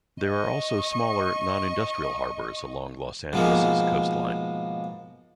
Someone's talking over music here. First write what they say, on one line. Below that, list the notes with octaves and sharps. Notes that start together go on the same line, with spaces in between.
There are also smaller, non-industrial harbors along Los Angeles' coastline.
D#5 C#6
G#2 B2 F3 G#3 A#3